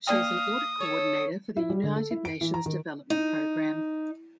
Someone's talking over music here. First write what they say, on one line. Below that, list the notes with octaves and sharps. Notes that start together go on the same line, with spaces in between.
She is an audit coordinator for the United Nations Development Programme.
A#3 D5 F5 G5 D#6
A4 C#5
E4
G3
D3
A4
E4
D7
E3
A#5
D#3
D#4